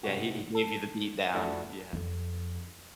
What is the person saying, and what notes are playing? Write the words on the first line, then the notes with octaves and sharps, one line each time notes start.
Yeah. Yeah, he he gave you the beat down, yeah.
C3 G#3 F#4
A4
F2 A3 D4 E4 F#4
F2